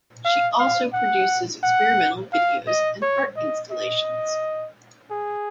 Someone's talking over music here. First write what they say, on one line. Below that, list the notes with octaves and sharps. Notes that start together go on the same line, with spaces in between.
She also produces experimental videos and art installations.
F5
F5
F#5
F#5
F5
D#5
C#5
D#5
D#5
G#4